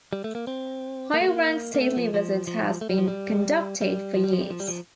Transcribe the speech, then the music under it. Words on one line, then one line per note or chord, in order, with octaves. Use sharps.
High rank stately visits has been conducted for years.
G3
A3
A#3
C4
A#3
A3
A#3
A#3
A3
F3
F3
F3
A3
G3
F3
G3
G3
F3
G3
F3
G3
F3
G3
F3